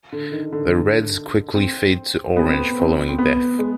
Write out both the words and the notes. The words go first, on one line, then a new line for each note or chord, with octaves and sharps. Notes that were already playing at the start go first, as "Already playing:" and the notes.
The reds quickly fade to orange following death.
D3
D#3
D3
D3
C4
B3
C4
B3
C4
C4
B3
G#3